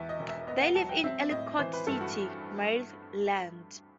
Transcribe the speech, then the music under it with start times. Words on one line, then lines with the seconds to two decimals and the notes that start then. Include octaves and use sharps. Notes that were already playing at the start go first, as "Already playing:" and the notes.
They lived in Ellicott City, Maryland.
Already playing: E2 E5
0.09 D#5
0.20 E1
0.28 E5
0.47 B3 D#5
0.61 F#5
0.75 F#3 A5
0.89 G5
1.04 C4 E5
1.31 A2 D#5
1.59 E3 C5
1.73 B4
1.87 G2 A4
2.01 F#4